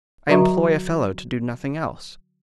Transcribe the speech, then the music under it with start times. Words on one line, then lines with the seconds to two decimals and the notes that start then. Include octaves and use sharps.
I employ a fellow to do nothing else.
0.29 D3 F#3 F#4 E5 A#5 C#6